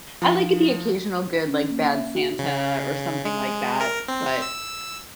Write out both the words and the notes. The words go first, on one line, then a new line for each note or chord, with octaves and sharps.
I like a the occasional good, like, Bad Santa, or something like that, but
F3
C#4
A#3
E5
F#4
C#3
G#3
A#4
C4
E6